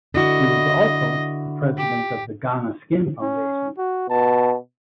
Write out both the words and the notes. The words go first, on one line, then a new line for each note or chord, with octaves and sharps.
He was also the President of the Ghana Skin Foundation.
D3 E4 F#4 D#5
G4
C#4
F#4
B2 A5